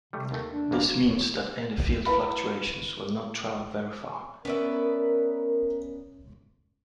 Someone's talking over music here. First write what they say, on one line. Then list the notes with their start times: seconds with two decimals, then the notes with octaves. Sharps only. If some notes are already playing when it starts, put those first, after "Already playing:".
This means that any field fluctuations will not travel very far.
0.13 C3 G3 A3
0.31 D#2 A3
0.51 D4
0.71 A#1 G2 A#3
2.06 E4 F4 B4 F5 B5
4.45 B3 C#4 A#4 B4 D5 E5